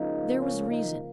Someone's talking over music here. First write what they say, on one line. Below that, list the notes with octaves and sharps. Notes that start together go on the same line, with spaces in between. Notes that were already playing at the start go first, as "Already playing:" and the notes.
There was reason.
Already playing: C#2 C#3 F3 A#3 D#4
C#4
D#4